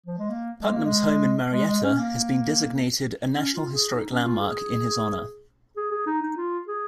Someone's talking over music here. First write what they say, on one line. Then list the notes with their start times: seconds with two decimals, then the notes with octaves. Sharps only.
Putnam's home in Marietta has been designated a National Historic Landmark in his honor.
0.06 F3
0.19 G#3
0.30 A#3
0.61 G#3
0.73 A#3
0.85 G#3
1.52 G#3
1.67 G#3
1.83 C#4
1.97 A#3
3.34 C#4
3.54 F4
3.74 G#4
3.94 D#4
4.09 C#4
4.25 F4
4.40 G#4
5.76 G#4
5.92 G#4
6.07 D#4
6.22 D#4
6.37 F4
6.67 G#4